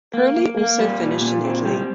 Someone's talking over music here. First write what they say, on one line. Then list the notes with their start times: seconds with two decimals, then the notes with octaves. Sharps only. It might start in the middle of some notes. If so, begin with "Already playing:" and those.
Purley also finished in Italy.
0.14 A#3
0.36 A#3
0.57 A#3
0.79 G3
1.01 A#2
1.21 A#2
1.44 C4
1.65 G3